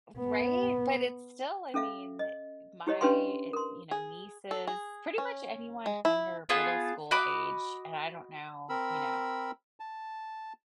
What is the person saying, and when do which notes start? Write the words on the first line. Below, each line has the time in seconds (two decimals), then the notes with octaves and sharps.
F Right? But it's still, I mean, e My it you know, nieces pretty much anyone under middle school age, and I don't know, you know,
0.18 B3
1.74 C#4 A4 E5 F5
2.19 D#5
2.87 E4 G4 C#5 D#5
3.01 C#4 D4 G4 B4 F5 C6
3.53 A#4 C6
3.91 G#4
4.51 A4
4.67 G#4
5.18 C#4
5.86 G#3
6.05 E4
6.49 B3 F4 G#4 A5
7.11 F#4 D#5 B5 D6
8.69 C4 A#4 B5 E6
9.80 A5